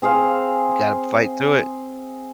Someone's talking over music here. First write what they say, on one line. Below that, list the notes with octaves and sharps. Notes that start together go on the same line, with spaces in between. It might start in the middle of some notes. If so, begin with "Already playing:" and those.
you gotta fight through it.
C4 G#4 C5 F5